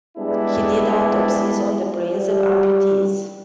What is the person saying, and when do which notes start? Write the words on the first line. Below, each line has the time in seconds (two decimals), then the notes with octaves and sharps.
He did autopsies on the brains of amputees.
0.18 G3 G#3 B3 D4 E4 G#4
2.11 G3